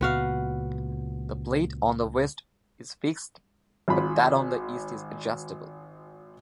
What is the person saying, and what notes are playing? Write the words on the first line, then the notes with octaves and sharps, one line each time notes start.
The plate on the west is fixed, but that on the east is adjustable.
C#2 A#2 B3 F#4 F5
G#1 F4 B5